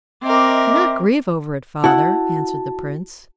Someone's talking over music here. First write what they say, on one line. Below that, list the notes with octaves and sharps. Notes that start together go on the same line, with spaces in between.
'Do not grieve over it, father,' answered the prince.
C4 A#4 D#5 E5 D6
E4 F#4 F#5 A5